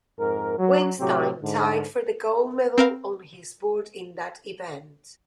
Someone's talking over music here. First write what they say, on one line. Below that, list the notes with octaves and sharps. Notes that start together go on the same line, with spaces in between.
Weinstein tied for the gold medal on his board in that event.
F2 G#2 A#4
F#3
A2 C3 F#3 C4 G4
G#2 D3
C4 A#4 F5